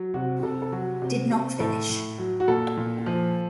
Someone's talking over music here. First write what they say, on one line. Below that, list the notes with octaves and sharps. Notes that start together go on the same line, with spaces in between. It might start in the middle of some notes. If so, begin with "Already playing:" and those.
Did not finish.
Already playing: F#3
C3 F#4
C3 A4
A4
F#3 F#4
C3
C3
A2 A4
A2
F#3
F#4
A#2 A4
A#2
F3